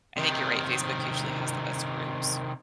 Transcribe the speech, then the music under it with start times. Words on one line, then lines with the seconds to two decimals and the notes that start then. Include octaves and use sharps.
I think you're right, Facebook usually has the best groups.
0.17 C3 D#3